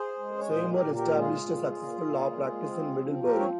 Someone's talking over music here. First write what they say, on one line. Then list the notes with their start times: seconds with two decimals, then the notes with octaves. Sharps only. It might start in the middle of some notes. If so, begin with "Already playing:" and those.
Seymour established a successful law practice in Middlebury.
Already playing: G#4 C5
0.19 G#3
0.39 C#5
0.49 A#2 G#4 C5
0.71 G4 A#4
0.80 A#2
0.94 G4 A#4
1.11 G#3
1.18 F4 G#4
1.41 A#2
1.71 A#2
2.01 A#2
2.33 G#3
2.62 C4
2.94 F3
3.23 C4 G4 A#4
3.39 C#5